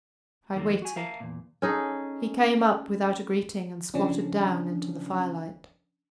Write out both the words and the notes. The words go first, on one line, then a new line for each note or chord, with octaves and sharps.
I waited. He came up without a greeting and squatted down into the firelight.
F2 D#3 A#3 A4 A#4
F#4 G#5
A#4 E5 F5 A5 A#5
E2 A#2
C#4 D#4 G#4 A4
C#3 F3 C#4 D4